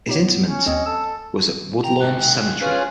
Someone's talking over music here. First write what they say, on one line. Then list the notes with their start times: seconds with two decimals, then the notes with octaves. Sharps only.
His interment was at Woodlawn Cemetery.
0.09 B3 D#4 G4 C#5
0.47 C#4
0.66 D#2 C4 C#4 D#5
0.86 A4 E6
1.84 G5 A#5
2.00 D#2 G#2 F#6
2.61 C#4 F4 G#4 B4